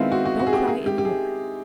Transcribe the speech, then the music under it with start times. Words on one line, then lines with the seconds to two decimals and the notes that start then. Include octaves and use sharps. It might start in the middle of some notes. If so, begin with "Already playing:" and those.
Don't cry any more.
Already playing: D#3 G#3 B3 C4 E4 F4
0.12 F#4
0.25 F#4
0.40 F#4
0.47 G#4
0.53 G4
0.68 G#4
0.86 G4
0.98 G4
1.05 G#4